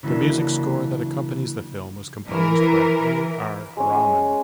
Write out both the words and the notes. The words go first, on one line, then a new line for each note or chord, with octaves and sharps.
The music score that accompanies the film was composed by A. R. Rahman.
C#3 E3 F#3 A#3 D4
E3 A#4
G#3 C#4